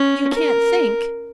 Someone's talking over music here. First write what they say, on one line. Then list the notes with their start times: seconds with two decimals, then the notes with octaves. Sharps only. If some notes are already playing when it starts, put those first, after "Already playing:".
You can't think.
Already playing: C#4
0.34 A#4